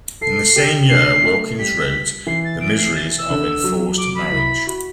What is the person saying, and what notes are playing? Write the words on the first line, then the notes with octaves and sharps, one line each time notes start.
In the same year Wilkins wrote "The Miseries of Enforced Marriage".
A4 C7
G4
D4 C7
A3
G3 B6
E3 C7
A6
D7
C7
A6
E6
D3
F#3
D6
B5
E4
F#4